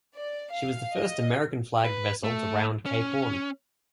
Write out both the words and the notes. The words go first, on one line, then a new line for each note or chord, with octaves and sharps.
She was the first American-flagged vessel to round Cape Horn.
D5
F5
D#5
B4
A3
C#4